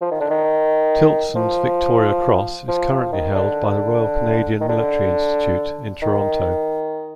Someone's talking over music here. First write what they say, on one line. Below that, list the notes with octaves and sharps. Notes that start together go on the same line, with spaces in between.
Tiltson's Victoria Cross is currently held by the Royal Canadian Military Institute in Toronto.
F3
D#3
D3
D#3
F3
F3
F3
D#3
D3
D#3
D3
D#3